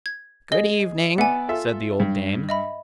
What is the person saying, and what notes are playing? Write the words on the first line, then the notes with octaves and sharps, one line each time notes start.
'Good evening!' said the old dame.
G#6
G#4 D#5 G7
B3 D5 E5 F#5 G#5
F4 A4 E5
G2
D#5 E5 B5